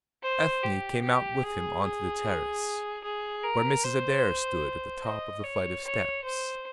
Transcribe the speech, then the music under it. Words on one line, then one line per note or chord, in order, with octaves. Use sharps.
Ethne came out with him on to the terrace, where Mrs. Adair stood at the top of the flight of steps.
C5
G4
G4
G#4
G#4
G#4
A#4
C5
D#5
C#5
C#5
C5